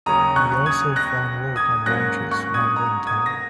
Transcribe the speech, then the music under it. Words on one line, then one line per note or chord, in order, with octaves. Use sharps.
He also found work on ranches wrangling cattle.
D#2 C#3 F#3 C#4 A#5 D#6
C#6 F#6
D#6 G#6
F#6 A#6
D#6 G#6
G#2 F#3 A#3 C#4 F#6 A#6
C#6 F#6
D#6 G#6
A#5 D#6
D#6 G#6
A#6